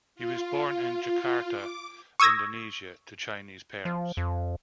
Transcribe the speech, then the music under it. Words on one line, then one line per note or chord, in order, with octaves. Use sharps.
He was born in Jakarta, Indonesia, to Chinese parents.
F4
D6
C#6 D#6 E6 G#6 A#6
F3
F2